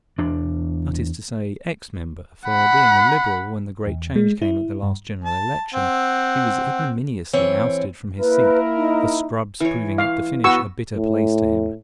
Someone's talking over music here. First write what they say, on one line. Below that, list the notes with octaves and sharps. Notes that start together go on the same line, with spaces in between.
That is to say, ex-Member; for, being a Liberal when the great change came at the last general election, he was ignominiously ousted from his seat, the Scrubbs proving at the finish a bitter place to him.
E2 D4
F#5 B5
E2
G#3
E4
G2
A5
C4 F#5
E3 C4 C#5
A#3 E4 A#4 B4
D#4
E3 C#5
F5
B3 F#4 C#6 E6
A2